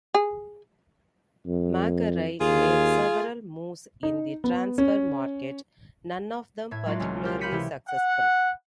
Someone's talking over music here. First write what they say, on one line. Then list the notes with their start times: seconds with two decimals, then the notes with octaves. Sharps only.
Macari made several moves in the transfer market - none of them particularly successful.
0.14 G#4
1.46 F2
2.40 D#2 F4 G#4
4.03 D#4
4.44 B3
4.78 C#4
6.71 A2 E4 G#6
6.86 F#3 G#3 A#3 D4 F4 F#4
6.99 E1 C#2 C#4
7.23 F4 G4 A#4
7.40 F5 B5 G6 B6 C#7 D#7
7.51 C3 E3 E4 G4
7.88 F#5